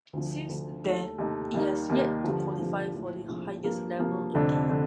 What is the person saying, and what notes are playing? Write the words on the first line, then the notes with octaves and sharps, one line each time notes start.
Since then, it has yet to qualify for the highest level again.
D2 D3 F3
D2 D3 F3
D#2 D#3 A3 D#4
D#2 D#3 A3 D#4
D#2 D#3 G3 A#3 D#4
D#2 D#3 G3 A#3 D#4
G2 D3 F3
G2 D3 F3
A#1 A2 F3
A#1 A2 F3
G2 F3 A#3
G2 F3 A#3
F1 F2 D3 A3 D4
D3 A3 D4